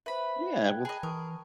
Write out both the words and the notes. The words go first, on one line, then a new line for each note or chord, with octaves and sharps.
Yeah, well
B4 C5 E5 B5
G5 F#6 G#6
G#4 D#5 A5 B5
E3 A#4 A5 C#6 D#6